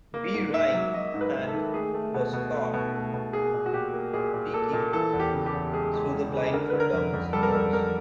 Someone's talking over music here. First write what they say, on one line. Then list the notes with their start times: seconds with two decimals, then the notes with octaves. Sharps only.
B. Rhine and was caught peeking through the blindfold down his nose.
0.14 A#3
0.34 G#2
0.54 G#2 E5
0.74 F#3
0.94 F#3 D#5
1.14 G#2
1.21 B4
1.34 G#2
1.48 A4
1.54 D#3
1.74 A3 G#4
1.94 A3
2.14 B2
2.33 B2
2.54 A3
2.74 B2
2.94 A3
3.14 B2
3.33 A#3 G#4
3.54 A#2
3.66 F#4
3.73 A#2 G4
3.93 A#3
4.14 A#2 G#4
4.33 A#2
4.54 A#3 A4
4.73 A#2
4.93 E3 A4
5.13 E2
5.20 G4
5.33 C#3
5.46 G4
5.53 E2
5.74 G#3 G#4
5.94 G#3
6.14 G#3
6.33 C#3
6.53 D3 A#4
6.70 D3 B4
6.80 A#4
6.93 F2
7.13 F2
7.33 G3 A4
7.43 A#4
7.52 F2 A4
7.73 F2 A#4